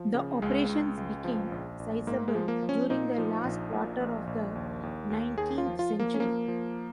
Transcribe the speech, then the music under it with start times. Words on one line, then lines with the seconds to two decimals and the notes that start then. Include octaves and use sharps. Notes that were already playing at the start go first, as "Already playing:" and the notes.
The operations became sizeable during the last quarter of the nineteenth century.
Already playing: F3
0.14 C#3
0.42 C#2 G#3
0.69 C#2
0.97 C#2
1.24 F3
1.52 A#1
1.80 A#1
2.07 G#2 A#3
2.28 G#3
2.35 F3
2.48 A#3
2.62 F3
2.69 C#4
2.90 A#2 D#4
3.18 F3
3.45 A#1
3.73 A#2
4.00 A#1
4.27 A#1
4.55 D#2
4.83 D#2
5.10 D#2
5.37 D#2 G#4
5.58 F4
5.66 F3
5.79 F4
5.93 F3
5.99 A#3
6.14 C#4
6.20 F3 A#3
6.48 F3